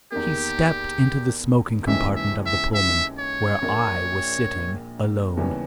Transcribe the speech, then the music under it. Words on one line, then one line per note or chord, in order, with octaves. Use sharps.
HE STEPPED into the smoking compartment of the Pullman, where I was sitting alone.
E2 D#3 A#3 G4
D#2 C#3 E3 G#3 C#4 E5
E5
E5
E5
C#5
A#1 A#2 A#3
D#2 C#3 E3 G3 B3